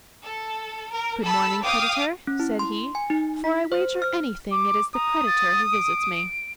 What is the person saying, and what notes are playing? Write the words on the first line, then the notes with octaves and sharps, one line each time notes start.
"Good-morning, creditor," said he; "for I wager anything it is the creditor who visits me."
A4
A#4
A4 A5 B5 E6
F5 G5 D6 D#6 F6
C#4
E4
C6
G#5
D#4
B6
C5
F6
D6
A#5 D#6
A6
D7